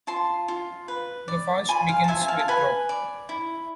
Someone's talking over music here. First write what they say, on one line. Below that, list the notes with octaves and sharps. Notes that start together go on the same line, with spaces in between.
The fast begins with dawn.
F4 A5 C6
F4
B4
D5
F4 G#5 B5
F5
A5
F4 E5 G#5
G#5
F5 A5
A5
B4 G#5 B5
D5
E4